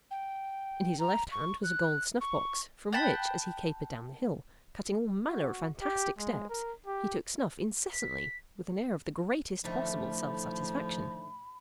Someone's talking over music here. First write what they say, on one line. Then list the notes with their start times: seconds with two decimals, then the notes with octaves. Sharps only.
In his left hand was a gold snuff-box, from which, as he capered down the hill, cutting all manner of fantastic steps, he took snuff incessantly with an air of the greatest possible self-satisfaction.
0.11 G5
0.99 A#5
1.31 C#6
1.63 F#6
2.21 C#6
2.93 F#5 G5 A5 B5
5.29 F#4
5.82 G4
6.19 G#3
6.49 A#4
6.87 G4
7.93 B6
9.64 A2 D3 D#3 F3 A3 B5